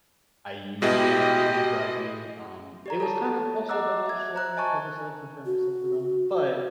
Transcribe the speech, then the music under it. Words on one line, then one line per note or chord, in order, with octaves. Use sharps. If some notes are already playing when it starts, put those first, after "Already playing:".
I used that to kinda drive me, um, it was kind of, also a double-edged sword, because I started to compare myself to them. But,
B2 G#3 E4 F#4 G4 D#5
G4 D5 A#5
A4 C#5 A5
D#5 F#5 A#5 D6 E6 F#6
E5 G#6
C5 A#5 F#6
D#5 G#5 A5 C#6
F#4